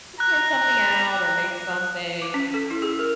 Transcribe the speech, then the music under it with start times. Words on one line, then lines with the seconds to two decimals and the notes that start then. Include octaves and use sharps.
print something out or make something
0.20 A#5 F#6
2.22 D6
2.34 C#4
2.54 A4
2.71 E4
2.82 G#4
2.99 A#4